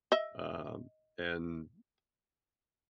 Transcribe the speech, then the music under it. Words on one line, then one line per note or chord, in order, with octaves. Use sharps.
um, and
D#5 E5